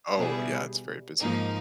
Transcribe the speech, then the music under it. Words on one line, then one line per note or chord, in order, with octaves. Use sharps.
Oh, yeah, it's very busy.
B2 G3 B3 E4 G#4
G#2 F3 A#3 D#4